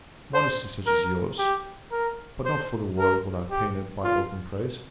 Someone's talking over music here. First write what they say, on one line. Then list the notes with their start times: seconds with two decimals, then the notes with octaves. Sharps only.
Modesty such as yours--but not for the world would I pain it by open praise.
0.34 C5
0.87 A#4
1.39 G4
1.92 A#4
2.45 C5
2.98 A#4
3.51 G4
4.04 F4